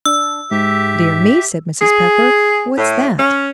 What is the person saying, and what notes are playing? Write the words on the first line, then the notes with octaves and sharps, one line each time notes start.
"Dear me!" said Mrs. Pepper, "what's that?"
D4 E6
G#2 G4 E5
G#4
A2
C#4